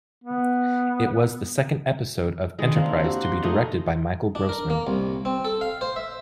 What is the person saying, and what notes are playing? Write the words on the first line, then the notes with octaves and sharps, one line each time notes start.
It was the second episode of "Enterprise" to be directed by Michael Grossman.
B3
D3 D#3 G#3 E4
A#3 C4 D4
F#4 G4
C6
A3 D#4 E4 G#4
D4
A#4
A#3
C2
C4
A4
F5
C5
E5